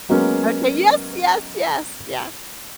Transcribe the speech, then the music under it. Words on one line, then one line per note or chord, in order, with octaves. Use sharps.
Okay yes! Yes, yes, yeah.
F#3 G#3 A#3 B3 C#4